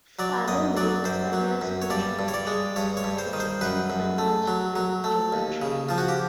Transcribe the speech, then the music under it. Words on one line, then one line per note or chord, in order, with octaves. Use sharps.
Fano made various contributions on projective and algebraic geometry.
F#3 D5
F#2 D#5
F#3 D5
F#2 C5
F#3
F#2
C#5
G2 D5
G2
C#5
D5
G#3
G2 C#5
C#5
G2
C5
D#3
C5
F#2 B4
F#2
A3
F#3
F#3
A3
D#2
C#3
F3 F4
F#4
G4